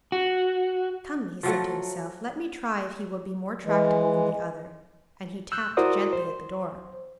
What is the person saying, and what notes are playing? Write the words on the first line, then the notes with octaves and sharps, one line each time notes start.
"Come," he said to himself, "let me try if he will be more tractable than the other;" and he tapped gently at the door.
F#4
F3 F#3 A3
E3 G#3
E6 F#6 G6
E4 F#4 A#4 C5 D5 D#6
C5